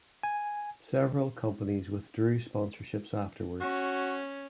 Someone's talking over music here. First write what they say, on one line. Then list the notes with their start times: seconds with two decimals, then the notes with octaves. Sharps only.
Several companies withdrew sponsorships afterwards.
0.23 G#5
3.61 C#4 F#4